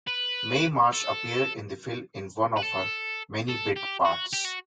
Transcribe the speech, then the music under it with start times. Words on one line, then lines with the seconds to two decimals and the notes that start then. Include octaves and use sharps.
Mae Marsh appeared in the film in one of her many bit parts.
0.07 B4
0.93 A4
2.57 B4
2.63 A4
3.48 A4
3.76 G4
4.05 F#4
4.33 G4
4.45 F#4